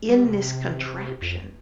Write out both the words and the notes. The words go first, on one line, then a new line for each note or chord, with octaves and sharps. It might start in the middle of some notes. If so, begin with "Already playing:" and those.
in this contraption.
G3
C3
F2